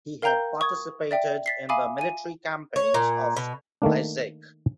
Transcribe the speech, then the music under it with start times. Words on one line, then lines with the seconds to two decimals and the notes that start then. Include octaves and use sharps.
He had participated in the military campaigns of Leszek.
0.22 A#4 F5 G5 A#5 G6 G7
0.61 C#6 D#6 G#6
1.11 D5 E5 G5
1.46 A6 B6 C7
1.69 E5 F5 G#5 B5 D6 D#6
1.98 G#5 D#7
2.76 C#5
2.94 A#2
3.36 B2
3.82 D#3 A3 A#3 D4